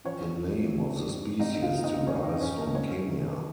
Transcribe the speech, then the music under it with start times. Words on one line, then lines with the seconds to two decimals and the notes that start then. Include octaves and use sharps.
The name of the species derives from Kenya.
0.05 F3 C#4 C#5
0.38 F3
0.72 C4
1.06 G2
1.39 C3 D#4 D#5
1.62 F4 F5
1.74 A#3
1.84 D#4 D#5
2.06 F2 C#4 C#5
2.24 D#4 D#5
2.40 F3 C#4 C#5
2.57 A#3 A#4
2.75 G3 C#4 C#5
3.08 D#3